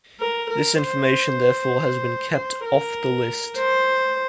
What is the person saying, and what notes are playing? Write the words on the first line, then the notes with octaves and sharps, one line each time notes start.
This information therefore has been kept off the list.
A#4
A#4
C5
C5
A#4
C5